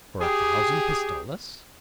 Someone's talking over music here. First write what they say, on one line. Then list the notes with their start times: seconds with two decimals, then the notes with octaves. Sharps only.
"For a thousand pistoles?"
0.21 G4 G#4